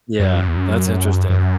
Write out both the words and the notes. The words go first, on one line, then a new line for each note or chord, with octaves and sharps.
Yeah, that's interesting.
F#2
E2
F#2
F#2